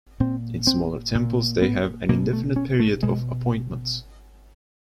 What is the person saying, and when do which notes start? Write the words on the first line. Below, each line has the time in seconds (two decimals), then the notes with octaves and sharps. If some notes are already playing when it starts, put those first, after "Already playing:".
In smaller temples, they have an indefinite period of appointment.
0.20 A#2 C4
0.67 C4
1.15 A#2
1.62 B3
2.09 B2 A#3
2.33 A3
2.56 C#4
2.80 A3
3.03 B2 G#3